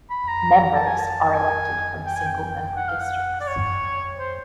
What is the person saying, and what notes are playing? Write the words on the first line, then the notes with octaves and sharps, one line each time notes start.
Members are elected from single-member districts.
B5
A#5
A#5
A5
G#5
A5
G#5
G5
G#5
G5
F#5
F5
F#5
D5
C#5
C5